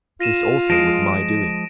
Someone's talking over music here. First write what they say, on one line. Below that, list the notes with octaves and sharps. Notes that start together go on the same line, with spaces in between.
This also was my doing!
F4 A#6 D#7 E7
F3 G#3 A#6 D7 E7